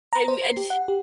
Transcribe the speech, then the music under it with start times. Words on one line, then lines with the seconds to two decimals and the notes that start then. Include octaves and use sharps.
I mean, I ju
0.13 A#5
0.28 C5
0.44 C7
0.57 G4
0.70 F#5
0.88 G4